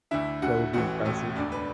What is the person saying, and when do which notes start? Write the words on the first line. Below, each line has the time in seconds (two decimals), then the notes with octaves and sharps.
That would be impressive.
0.11 D2 D3 E4 E5
0.42 D2 D3 F#4 F#5
0.73 A1 A2 E3 F#4 F#5
1.05 A1 A2 E3
1.36 E1 D2 D3 D4 D5
1.52 B4